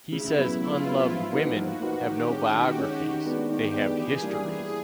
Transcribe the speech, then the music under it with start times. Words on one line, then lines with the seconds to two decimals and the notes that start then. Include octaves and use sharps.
He says unloved women have no biographies — they have histories.
0.12 C#3 E4
0.36 F#3 B3
0.60 C#3 F4
0.84 F#3 B3
1.08 F3
1.32 A#3 D#4 F#4 B4
1.56 F3 F#4
1.81 A#3 D#4 F#4 B4
2.05 D#3 G4
2.28 G#3 C#4
2.53 D#3 F#4
2.77 G#3 C#4
3.01 D#3
3.24 G#3 B3 D4
3.49 D#3 G4
3.73 G#3 B3 D4
3.97 E3 G#4
4.21 G3 A#3 D4
4.45 E3 G#4